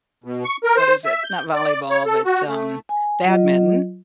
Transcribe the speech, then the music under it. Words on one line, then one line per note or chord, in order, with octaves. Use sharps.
what is it? Not volleyball, but, um, badminton,
B2
C#6
A#4
C5
E5
G6
D5
C#5
A4
F#4
A3
G#5
F#3 F4 D#5